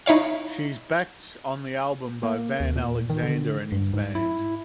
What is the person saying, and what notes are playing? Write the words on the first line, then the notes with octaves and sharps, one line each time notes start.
She is backed on the album by Van Alexander and his band.
D#4 E4 C#5 F5
A#3
D#2
A#2
D#3
D3
G2
G#2
E4